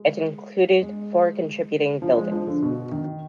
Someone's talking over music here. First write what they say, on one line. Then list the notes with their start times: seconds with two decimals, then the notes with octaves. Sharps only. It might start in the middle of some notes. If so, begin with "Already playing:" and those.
It included four contributing buildings.
Already playing: G#3
0.82 G#3
2.02 F3
2.17 G#3
2.32 F3
2.47 D3
2.62 B2
2.92 D#3